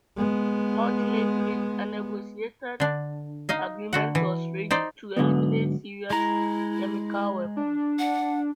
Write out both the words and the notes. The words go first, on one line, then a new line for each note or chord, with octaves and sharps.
Ultimately a negotiated agreement was reached to eliminate Syria's chemical weapons.
G#3 B3
D3 D4
D#4 D#5 F5
D3 F#4 F#5
E3
D#4 C5 D5
G#2 D3 F#3 B3
G#3 E4 A#5
D4
F#5